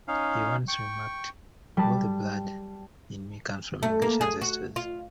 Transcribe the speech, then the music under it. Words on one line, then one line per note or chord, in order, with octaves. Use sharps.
He once remarked "all the blood in me comes from English ancestors".
C#4 D#4 F5
G5 C#6
G3 A5
A3
A#3
G#4
F#4
F4